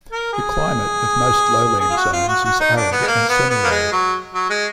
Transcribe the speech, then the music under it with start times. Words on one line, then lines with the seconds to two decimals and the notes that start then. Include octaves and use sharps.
The climate of most lowland zones is arid and semiarid.
0.12 A#4
0.33 G#4
1.81 G#4
1.90 F4
1.97 F#4
2.13 F4
2.28 F#4
2.44 F#4
2.60 D#4
2.76 D4
2.92 B3
3.02 G#3
3.07 A#3
3.29 B3
3.50 B3
3.64 A#3
3.71 G#3
3.92 F#3
4.34 F#3
4.50 G#3